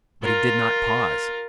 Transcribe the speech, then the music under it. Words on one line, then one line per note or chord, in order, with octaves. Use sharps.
But he did not pause.
F4 A#4